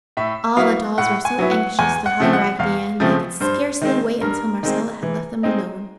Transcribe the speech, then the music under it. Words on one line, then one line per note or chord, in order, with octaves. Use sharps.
All the dolls were so anxious to hug Raggedy Ann they could scarcely wait until Marcella had left them alone.
A2 E5
F#3 B3 E4 F5
A2 F#5
G#5
F#3 B3 E4
F#5
E2 G#5
F#5
C#3 F3 A3 C4
F#5
E2 F5
C#3 F3 A3 C4
G2 C5
D#3 G#3 C4
G2 A#4
D#3 G#3 C4
E3
G#3 C4 D#4